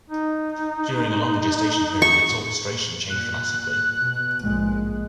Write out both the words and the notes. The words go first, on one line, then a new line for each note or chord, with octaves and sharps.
During a long gestation period its orchestration changed dramatically.
D#4
C#6
A#2 F#6
B2
A#1 G#2 G#3